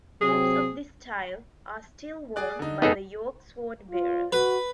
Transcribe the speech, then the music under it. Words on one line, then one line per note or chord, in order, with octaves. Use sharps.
Caps of this style are still worn by the York Swordbearers.
C3 F#3 C4 G#4
G#4 D5 F#6
D3 D#4
F2 G#2 B3 D#4 G#4 A4
F4
F#4 B4